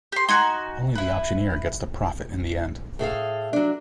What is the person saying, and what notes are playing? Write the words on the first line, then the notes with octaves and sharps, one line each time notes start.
Only the auctioneer gets to profit in the end.
G4 C6
D#4 F#4 G#5 C6 G#6 C#7
E4 B4
A2 G#4 A4 F5
F#3 D4